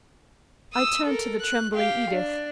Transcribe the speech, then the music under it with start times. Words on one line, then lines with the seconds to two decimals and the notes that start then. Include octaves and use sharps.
I turned to the trembling Edith.
0.73 D#6 E6
1.06 A4 A#4
1.40 F#6
1.74 G4 F5
2.11 D4